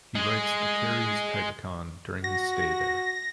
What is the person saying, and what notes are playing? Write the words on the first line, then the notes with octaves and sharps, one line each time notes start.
He writes the Karyes Typicon during his stay there.
G#3 G#4
F#4 A#6